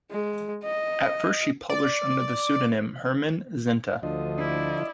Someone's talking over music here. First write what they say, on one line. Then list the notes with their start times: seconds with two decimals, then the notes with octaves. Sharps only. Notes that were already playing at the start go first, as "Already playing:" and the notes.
At first she published under the pseudonym Hermann Zenta.
0.11 G#3
0.63 D#5
1.70 D5
4.03 D2 D3 F3 D#5
4.39 E4 D5